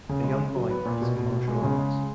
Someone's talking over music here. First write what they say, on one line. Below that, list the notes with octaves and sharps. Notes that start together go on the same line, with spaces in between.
A young boy practicing martial arts.
C#3
G#3
C#3
F#3
B3
A#2
B2
B2
B2
G#3
C#3
G#3